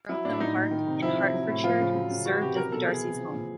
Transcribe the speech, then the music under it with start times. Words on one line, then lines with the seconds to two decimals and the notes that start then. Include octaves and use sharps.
Wrotham Park in Hertfordshire served as the Darcys' home.
0.09 F#3 E4
0.25 A2 D4
0.33 E4
0.40 F#3 D#4
0.56 A#2
0.71 D#3
0.87 C3
1.02 F3 E4
1.18 C3
1.33 F#3
1.48 A2
1.64 F3 F4
1.80 C#3
1.95 F#3
2.10 C#3
2.26 E3 F#4
2.41 C3 G4
2.56 F#3 A#4
2.72 B2 A4
2.88 E3 G#4
3.03 C3
3.18 F3
3.34 A#2